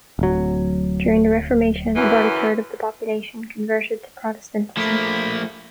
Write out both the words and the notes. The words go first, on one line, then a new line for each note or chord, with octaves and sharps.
During the Reformation, about a third of the population converted to Protestantism.
D1 F#3
F#2 E3
F3 A3 A#3 B5